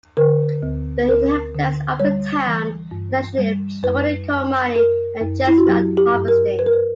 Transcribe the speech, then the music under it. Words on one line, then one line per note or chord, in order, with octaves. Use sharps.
The inhabitants of the town are traditionally employed in coal mining and chestnut harvesting.
D3 A#4
D2
D2 A#4
D3
G3 C#5
E3
G2
G3
F#2 B4
F#2
F#2 A#4
F#2
E4
F#4
F#3 G4
G4
G2
A#4
G2 B4
A#4
B4